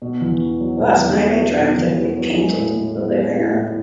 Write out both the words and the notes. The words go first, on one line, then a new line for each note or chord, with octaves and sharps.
Last night I dreamt that we had painted the living room.
B2
E2
B3
F#3
B2
E2
B3
F#3
B2
E2
B3
F#3
G#3
A2
A2
B3
G#3
A2
A2